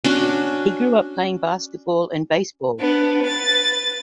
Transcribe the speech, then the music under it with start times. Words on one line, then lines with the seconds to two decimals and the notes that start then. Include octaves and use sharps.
He grew up playing basketball and baseball.
0.04 C#4 D4 F#4
2.80 B3 D4
3.23 B4 A6